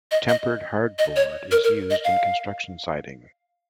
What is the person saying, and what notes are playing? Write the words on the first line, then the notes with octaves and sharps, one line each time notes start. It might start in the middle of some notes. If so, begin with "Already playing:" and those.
Tempered hardboard is used in construction siding.
D#5
D#5
D#5
C#5
A#4
A#4
D#5
F5